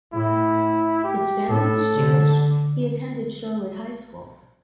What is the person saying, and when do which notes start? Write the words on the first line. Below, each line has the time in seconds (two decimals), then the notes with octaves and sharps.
His family was Jewish; he attended Shorewood High School.
0.13 A2 E4
1.04 G4
1.49 A2 A4
1.93 D3